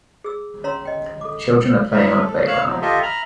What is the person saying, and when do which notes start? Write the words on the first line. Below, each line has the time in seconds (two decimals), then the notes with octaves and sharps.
Children are playing on a playground.
0.24 G#4 E6
0.64 C#4 C#5 F5 A#5 C6 E6
0.85 D#5 G5
1.21 A4 D6
1.92 D#4 E4 B4 E5
2.21 A4
2.47 C#5 F5 E6 F#6
2.68 F3 F#3 D#4
2.82 F4 G4 A4 D#5 E5
3.03 E5 A#5 B5 F6